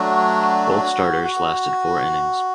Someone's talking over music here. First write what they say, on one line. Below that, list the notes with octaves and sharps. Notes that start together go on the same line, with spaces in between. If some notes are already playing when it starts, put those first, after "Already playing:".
Both starters lasted four innings.
Already playing: F#3 A3 D4 F#4
F#4